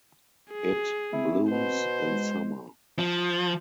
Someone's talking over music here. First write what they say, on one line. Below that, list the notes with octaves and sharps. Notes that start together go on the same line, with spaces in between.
It blooms in summer.
G#4
C4 E4
B2 C5
G#3
F3